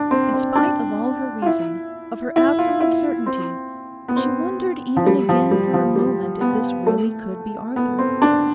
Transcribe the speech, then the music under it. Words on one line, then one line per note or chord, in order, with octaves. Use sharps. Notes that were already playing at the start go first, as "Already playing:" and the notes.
In spite of all her reason, of her absolute certainty, she wondered even again for a moment if this really could be Arthur.
Already playing: D4
C4
C4
D4
F4
E4
E4
F4
E4
C4
B3
C4
F3
G3
F3
G3
F3
G3
B3
A3
B3
C4
D4